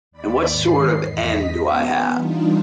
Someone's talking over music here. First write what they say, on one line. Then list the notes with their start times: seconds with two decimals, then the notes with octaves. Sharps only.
And what sort of end do I have?
0.11 D#2 D5 B5
0.49 G#2 D#3 C7
1.05 E2 D#5 B6
1.67 B3
2.14 E3 G3 D4 D#4 F4